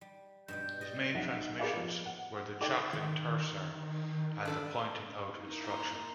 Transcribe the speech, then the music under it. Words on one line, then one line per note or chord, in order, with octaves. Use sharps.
His main transmissions were the Chokling Tersar and the pointing-out instruction.
G3
G2 B2 G3 G6
D5 D#5 G5
B1 D#5 F#5
G#4 A#4 B4 D5 D#5 F5
F3
F#5
D#4 A4 D5 G5 D6
C3 D#3
D4 A4 B4
A#3 D#4 E4
A#5 C6